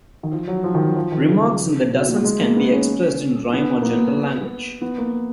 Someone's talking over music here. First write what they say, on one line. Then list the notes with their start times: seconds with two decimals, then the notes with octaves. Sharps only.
Remarks in the Dozens can be expressed in rhyme or general language.
0.23 D#3
0.32 F3
0.47 F#3
0.64 F3
0.75 D#3
0.86 F#3
0.96 F3
1.12 D#3
1.28 C#3
1.93 B2
2.08 A#2
2.24 G#3
2.41 A#3
2.56 B3
2.73 C#4
3.53 B3
3.82 A#3
3.86 B3
4.82 B3
4.98 A#3